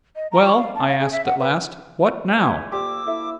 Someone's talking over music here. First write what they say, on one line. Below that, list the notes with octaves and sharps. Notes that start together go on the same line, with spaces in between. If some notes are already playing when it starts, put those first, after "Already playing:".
"Well," I asked, at last, "what now?"
D#5
A#5
C#6
F5
A5
F5
G#4
E5
F#5
B4
E2 A3 G#5
D2 A#3 F4 G4 D5 D6 E6
E4 A4 E5